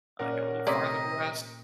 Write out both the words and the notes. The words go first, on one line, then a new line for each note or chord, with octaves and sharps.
like, a little farther west.
A#2 C#4 A#4 D5 F#5
C3 A3 C#4 D5 D#5 A#5 C6 B6